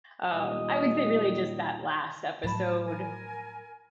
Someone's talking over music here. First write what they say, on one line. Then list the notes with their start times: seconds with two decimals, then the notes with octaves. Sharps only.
um, I would say really just that last episode,
0.32 D#2 A#2 G3 D#5
2.43 A2 F3 F#3 E4 A5 B5
2.85 A#4 G#5